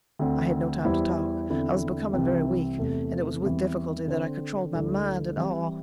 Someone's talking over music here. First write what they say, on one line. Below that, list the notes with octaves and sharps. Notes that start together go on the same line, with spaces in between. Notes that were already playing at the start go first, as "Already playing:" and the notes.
I had no time to talk, I was becoming very weak and it was with difficulty that I controlled my mind at all.
D2 D3 C4
E2 E3 G3 E4 C5
E2 D3 C4 E4
C2 C3 E3 C4
E2 C3 A3
E2 E3 G3 C4
D3 C4 A4 C5
D2 D3 G3 E4 A4
E3 G3 C4 E4